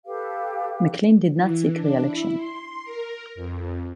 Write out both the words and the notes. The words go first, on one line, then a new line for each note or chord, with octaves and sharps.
McLean did not seek re-election.
G4 A4 B4 F5
E3
D4
E4
C6
A#4
F2